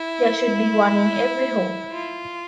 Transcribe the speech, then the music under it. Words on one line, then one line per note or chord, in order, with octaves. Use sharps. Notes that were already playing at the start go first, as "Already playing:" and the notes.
There should be one in every home.
Already playing: E4
F4